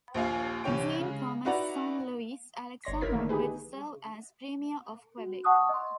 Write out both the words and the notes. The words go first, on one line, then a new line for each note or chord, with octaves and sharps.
Jean-Thomas's son Louis-Alexandre would serve as Premier of Quebec.
A#1 D#2 F5 G#5
C2 E3 C#4 C#5 G5 D7
C#3 G#3
D#4 E4 F#4 B4 D5 A#5
G1 C#5 C6 A#6
A1 D#4 E4 A#4 G#6 B6
D3 D#3 A3 A#3
D#4 G4 G#4 B4
F#4
F#5 A5 C#6 D#6 E6 F#6
D#5 C6